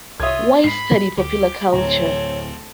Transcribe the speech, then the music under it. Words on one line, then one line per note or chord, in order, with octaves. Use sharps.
Why Study Popular Culture?
C2 F4 C#5 E5 D#6 G#6
G#2 B5 C7
D2 G4
D1 C4 A4 C#5 A#5